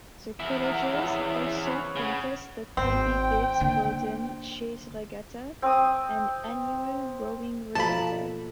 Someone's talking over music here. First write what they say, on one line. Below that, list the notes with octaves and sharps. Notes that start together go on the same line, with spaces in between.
The colleges also contest the Colby-Bates-Bowdoin Chase Regatta, an annual rowing regatta.
E2 E4
A#4 F#5 A#5
C#3 B3 C4
B4 C#5
C#3 B3
G#1 C4 G5
D3 A#3
C4 D#6
B2 F3 A#3 A4 A5 B5